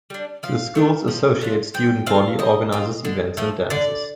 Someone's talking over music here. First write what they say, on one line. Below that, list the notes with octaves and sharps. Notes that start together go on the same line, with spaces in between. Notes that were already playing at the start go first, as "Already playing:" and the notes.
The school's Associate Student Body organizes events and dances.
G3 D4
F3 F5
A3 D4 F4
F3
A3 D4 F4
F3 G5
C4 F4 F5
F3 D#5
C4 F4
D3
F3 A3
D3 D5